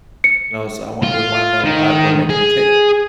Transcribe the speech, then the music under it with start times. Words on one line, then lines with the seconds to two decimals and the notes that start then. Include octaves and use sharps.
You know, so I wou I would wanna know how what makes him tick,
0.24 C#7
1.04 F4
1.65 D#3
2.30 G#4